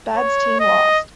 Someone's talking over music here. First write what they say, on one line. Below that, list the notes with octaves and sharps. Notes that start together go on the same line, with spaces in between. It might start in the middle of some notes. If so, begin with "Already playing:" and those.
Badd's team lost.
C#5
D#5